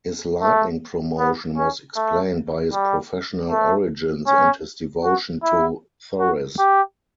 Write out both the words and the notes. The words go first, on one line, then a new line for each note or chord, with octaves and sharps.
His lightning promotion was explained by his professional origins and his devotion to Thorez.
A3
B3
C#4
A3
G3
A3
C#4
F#4
E4
F#4
G4